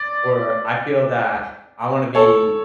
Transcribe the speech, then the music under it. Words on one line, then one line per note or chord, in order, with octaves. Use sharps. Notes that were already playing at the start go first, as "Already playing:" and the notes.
or I feel that I wanna be
Already playing: D5
A4 C#5